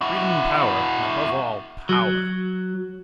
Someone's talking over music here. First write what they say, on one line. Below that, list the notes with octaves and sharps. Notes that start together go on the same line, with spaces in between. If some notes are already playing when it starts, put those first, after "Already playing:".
Freedom and power, and above all, power!
E4 F#4
F#3